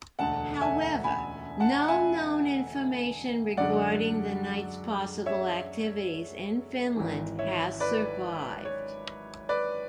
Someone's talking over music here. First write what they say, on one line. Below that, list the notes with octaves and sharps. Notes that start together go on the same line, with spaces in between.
However, no known information regarding the knights' possible activities in Finland has survived.
E1 D2 D3 A3 F#5 A5
E5 G#5
G#5 B5
F#5 A5
E5 G#5
F#2 D3 G#3 D5 F#5
C#5 E5
G#1 G#2 E3
C#5 E5
B4 D5
C#5
B4 D5